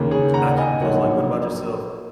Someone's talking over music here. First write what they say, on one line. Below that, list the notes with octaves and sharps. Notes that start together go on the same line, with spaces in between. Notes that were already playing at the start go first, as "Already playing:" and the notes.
I keep 'em close, like What about yourself?
Already playing: D#2 C#3 A#3
G#4 C#5
F#5 A#5
D#5 G#5
A#1 G#2 F#3 A#3 C#5 F#5